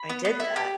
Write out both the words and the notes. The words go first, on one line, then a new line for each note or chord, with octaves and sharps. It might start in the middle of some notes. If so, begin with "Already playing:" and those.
I did that.
Already playing: B5
B3
B3
E4
G4